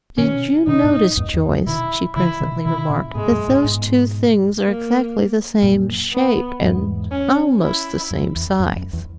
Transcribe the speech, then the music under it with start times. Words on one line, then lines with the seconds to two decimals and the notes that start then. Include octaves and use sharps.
"Did you notice, Joyce," she presently remarked, "that those two things are exactly the same shape, and almost the same size?"
0.18 B2 D#3 C#4
0.67 B2 D#3 D#4
0.84 G#2 B2
1.17 E2 G#2
1.34 E2
1.50 F#2
1.67 B2 D#3 E4
2.16 C#3 E3 E4
2.40 B2 D#3
2.65 B2 D#3 E4
2.90 A#2 C#3
3.15 G#2 B2 G#3
3.31 F#2 A#2
3.48 G#2 B2
3.64 G#2 B2
4.64 A#3
5.63 F#2 A#2
6.12 B3
6.62 E2 G#2
7.11 C#4
7.61 E4
8.11 F#2
8.36 E2
8.60 F#2
8.76 F#2
8.93 E2